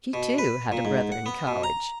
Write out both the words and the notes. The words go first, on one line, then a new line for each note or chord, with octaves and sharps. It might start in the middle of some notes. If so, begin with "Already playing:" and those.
She, too, had a brother in College.
B2
B4
A#2
G#2
F#5
B3
B2
A#5